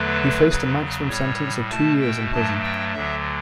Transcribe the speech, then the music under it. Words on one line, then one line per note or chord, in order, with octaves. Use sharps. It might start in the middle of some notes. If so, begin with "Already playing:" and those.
He faced a maximum sentence of two years in prison.
Already playing: E2 D3 F#3 A3 B4
E2 C#3 F#3
A2 G3 C#5
B2 A3 A5
G5
G2 F#3 A3 A5
G5
D2 D3 F#3 E5